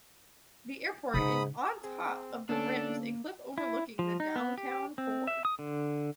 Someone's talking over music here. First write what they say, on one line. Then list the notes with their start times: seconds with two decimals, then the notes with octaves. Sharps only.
The airport is on top of the Rims, a cliff overlooking the downtown core.
1.14 G#2 C#3 D#4 B5 D#6
1.84 C4 G#4
2.49 D3 A#3 B3 C#4 D4 A4
3.58 E4
3.99 F3
4.20 D#4
4.36 B3
4.58 G4
4.98 C4
5.27 E5
5.45 D#6
5.59 D3